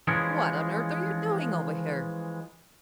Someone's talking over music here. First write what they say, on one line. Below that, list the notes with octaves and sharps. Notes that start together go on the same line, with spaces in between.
"What on earth are you doing over here?"
E3 F3 G#3 C#4 G#4